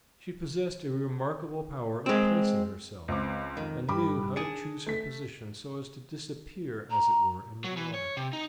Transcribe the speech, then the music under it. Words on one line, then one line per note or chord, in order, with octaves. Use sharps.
She possessed a remarkable power of placing herself, and knew how to choose her position so as to disappear, as it were, in the water.
G#3 C4
C#2 C4 D6
F2 D#3
G2 B5 D6
D4 G#4 C#7
A3 B6
A#5
F#3
E3
C#5
C3
D#4